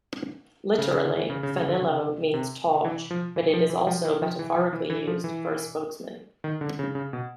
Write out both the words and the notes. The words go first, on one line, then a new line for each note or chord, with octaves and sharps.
Literally, "Fanilo" means torch, but it is also metaphorically used for a spokesman.
C#3
C#3
D3
E3
C#3
C#3
C#3
D3
C#3
C3
E3
F3
E3
F3
E3
F3
E3
F3
E3
F3
E3
E3
F3
E3
D#3
D3
C#3
C#3
B2